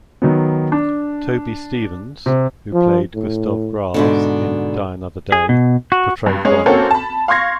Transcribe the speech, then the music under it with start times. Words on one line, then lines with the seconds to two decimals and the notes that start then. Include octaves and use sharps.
Toby Stephens, who played Gustav Graves in "Die Another Day", portrayed Bond.
0.22 D#3 F#3 B3
0.72 D4
2.26 C3
2.73 F3
3.14 A2
3.94 G#2 B2 D3
5.32 G#4
5.49 B2
5.92 F#4
6.26 G2
6.45 G#3 C#4 G#4
6.66 A#3 C4 C#4 F#4 A4
6.91 A5 B5
7.28 F5 C6 C#6 G#6 A#6